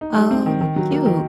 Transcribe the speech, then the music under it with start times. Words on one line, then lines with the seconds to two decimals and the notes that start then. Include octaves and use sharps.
Oh, cute.
0.01 D#4
0.16 G3
0.31 C4
0.46 D#3
0.61 D#3
0.76 F#3
0.91 A#3
1.06 D#3